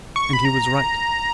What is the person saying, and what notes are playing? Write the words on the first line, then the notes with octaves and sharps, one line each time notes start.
And he was right.
C#6
B5
A#5